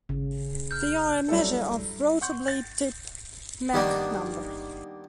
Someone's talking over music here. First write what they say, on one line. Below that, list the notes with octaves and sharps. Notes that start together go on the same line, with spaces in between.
They are a measure of rotor blade tip Mach number.
G#1 C#3
F6 G6
F#3 G3 A3 D4 E4 A4
F#5 C6 C#6 G6
A6
D#3 G3 A#3 B3 D4